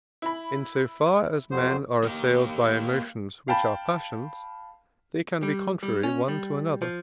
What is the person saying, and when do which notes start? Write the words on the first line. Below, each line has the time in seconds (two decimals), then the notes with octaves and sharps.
In so far as men are assailed by emotions which are passions, they can be contrary one to another.
0.22 E4 B5
1.51 F2 F#3 C5
2.04 A#3 G4
3.48 F5 G5 A5 B5
5.43 G3
5.83 G3
6.03 C#4
6.28 G3
6.82 F3